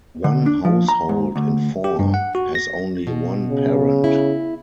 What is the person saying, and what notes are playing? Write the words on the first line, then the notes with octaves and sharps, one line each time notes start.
One household in four has only one parent.
D3
D4
F3
A#5
G#2
D2
G4
G2
F#5
F#4
A#6
B2
C#3
E4